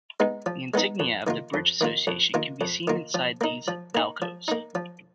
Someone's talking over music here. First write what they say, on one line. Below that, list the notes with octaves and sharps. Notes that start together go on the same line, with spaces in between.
The insignia of the Bridge Association can be seen inside these alcoves.
G#3 B3 D#4
F3
G#3 B3 D#4
F2
D#3 A#3 F4
F2
D#3 A#3 F4
F2
D#3 A#3 F4
F2
D#3 A#3 F4
F3
A#3 D#4
F3
A#3 D#4
F3
A#3 D#4
F3